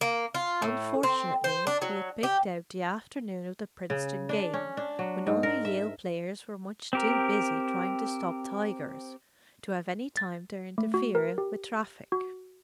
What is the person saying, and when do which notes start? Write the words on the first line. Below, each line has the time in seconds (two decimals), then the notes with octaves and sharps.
Unfortunately he had picked out the afternoon of the Princeton game when all the Yale players were much too busy trying to stop Tigers to have any time to interfere with traffic.
0.01 A#3
0.34 F4
0.62 A2
1.03 C4
1.44 C5
1.67 D4
1.82 F#3
2.23 G4
3.90 C#3
4.29 D4
4.54 C#4
4.77 D4
4.99 F#3
5.27 G#2
5.43 A#4
5.65 E5
6.93 C4 G4 A#4
10.17 A6
10.78 A3
10.94 F#4
11.15 A#4
11.38 G4
12.12 F#4